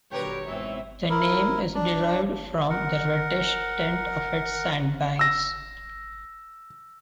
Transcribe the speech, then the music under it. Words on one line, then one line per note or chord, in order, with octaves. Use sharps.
The name is derived from the reddish tint of its sandbanks.
A#2 D3 F#3 G4 A#4 B4 C#5
G#2 B2 E3 C4 E5
E4 A#4
D4
A#4 F#5
E6 A#6